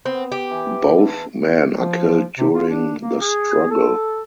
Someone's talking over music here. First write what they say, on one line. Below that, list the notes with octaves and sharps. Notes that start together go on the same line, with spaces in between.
Both men are killed during the struggle.
B3 C4
G4
E3
A4 A5
F3
C3
F4
D4
A#3
G#4
A4